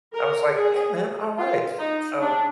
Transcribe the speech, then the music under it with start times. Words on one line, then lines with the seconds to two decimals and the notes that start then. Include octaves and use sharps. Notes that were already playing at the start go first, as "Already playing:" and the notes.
I was like, "Hey man, alright!" So
0.13 A#4
0.54 G#4
1.38 F4
1.79 D#4
2.20 D4